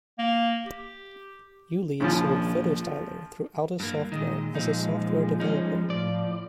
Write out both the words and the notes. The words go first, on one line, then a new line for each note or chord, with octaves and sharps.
Ulead sold PhotoStyler through Aldus software as a software developer.
A#3
G4
A#1 D#2 C#3 F3
G2 A#3
A#2 D#3 G#3 D#5
A#2 F3 G#3 D#4
C#4 D#4
A2 D5